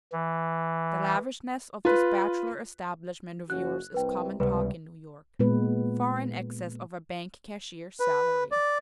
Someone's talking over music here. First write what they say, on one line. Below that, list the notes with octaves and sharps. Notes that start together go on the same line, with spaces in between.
The lavishness of this bachelor establishment of yours is common talk in New York--far in excess of a bank cashier's salary.
E3
F4 B4
F#1 C#4 F#4 F#6
C2 C3 B4 G5
C#2 C3 G3 B3 B4
A#2 G#3 B3 B4
B4
D5